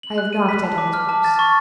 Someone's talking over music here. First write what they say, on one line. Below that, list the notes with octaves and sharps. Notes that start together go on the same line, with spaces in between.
"I have knocked at all doors."
F#7
F#6
D#7
B6
A5
D6
F6
A5
A6
C#6